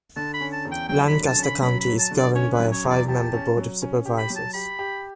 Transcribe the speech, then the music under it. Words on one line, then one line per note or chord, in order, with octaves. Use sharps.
Lancaster County is governed by a five-member board of supervisors.
D3 A5
B5
C#4
A5
E2
G5
F#3 G5
B5
D3
A5
C#4
B5
F#3 B5
B5
F#3
A5
D3
D5
C#4 C#5
B4
F#3
C#5
E2
D5
G4 A5
C#4
F#3
C#4
G4
B5
F#3
A5
G4 B5
G4